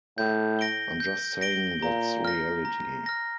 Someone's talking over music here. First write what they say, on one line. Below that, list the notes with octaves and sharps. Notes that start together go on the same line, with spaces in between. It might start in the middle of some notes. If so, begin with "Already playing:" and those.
I'm just saying that's reality.
A2 G6
A#6 D7 G7
G6
A#6 D7 G7
A#2 A#5
F6 A#6
A#5
F6 A#6